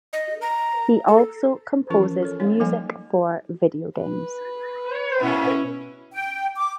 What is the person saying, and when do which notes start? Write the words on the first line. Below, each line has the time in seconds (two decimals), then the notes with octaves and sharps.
He also composes music for videogames.
0.13 D#5
0.42 A#5
1.08 A4
1.90 E3 F3 C#4 F4 A#4 C#6
2.22 A4 C#5
2.40 C4 D#4 C#5
2.60 F3 G3 A#3 A4 F5 G#5
3.99 B4
5.20 B2 C#4 E4
6.13 G5
6.57 D6